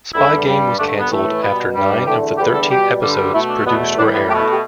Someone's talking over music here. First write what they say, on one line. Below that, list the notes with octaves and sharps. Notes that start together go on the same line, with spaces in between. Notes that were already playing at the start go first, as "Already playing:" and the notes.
"Spy Game" was canceled after nine of the thirteen episodes produced were aired.
E2 D3 G3 E4
G2 G3
G2 D3 A3 D4
A3
B3
A2 E3 A3
B2 G3 B3
G2 G3
E2 D3 A3 G4
E2 D3 G3 G4
A4
B2 G3 G4
G2 D3 G3
B2 A3 E4
D4
E2 B2 A3 B3
A2 E3 G3 D4
B3
B2 A3 G4
E4
G4